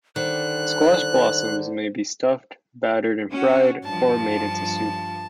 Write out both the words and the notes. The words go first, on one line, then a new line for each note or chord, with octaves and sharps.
Squash blossoms may be stuffed, battered and fried, or made into soup.
D3 D#3 G3 C5 F#6
C#4 F#4
G2 F3 A5